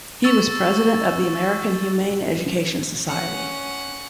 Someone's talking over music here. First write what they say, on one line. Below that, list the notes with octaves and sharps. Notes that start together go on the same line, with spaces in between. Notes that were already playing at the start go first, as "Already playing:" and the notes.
He was President of the American Humane Education Society.
C#6 E6 A6
C#4 F#5